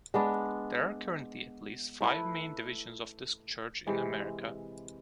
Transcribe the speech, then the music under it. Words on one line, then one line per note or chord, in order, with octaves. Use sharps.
There are currently at least five main divisions of this church in America.
G#3 B3 D4
A3 E4 B4
C3 E3 G#3